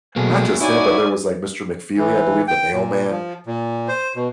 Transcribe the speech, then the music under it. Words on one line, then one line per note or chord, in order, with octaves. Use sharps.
not just him, but there was, like, Mr. McFeely, I believe, the mailman,
B2 F#3 A3 A#3 G#4
D#4 E4 F#4 C#5 D5 G#5
E3
G5
A#2
F3
A#2
C5
B2